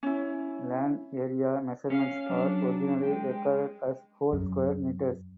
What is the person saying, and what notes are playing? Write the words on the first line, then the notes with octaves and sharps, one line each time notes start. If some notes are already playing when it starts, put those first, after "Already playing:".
Land area measurements are originally recorded as whole square meters.
C#4 E4
C#4 F5
F#3 D4
G#3 G5
F#2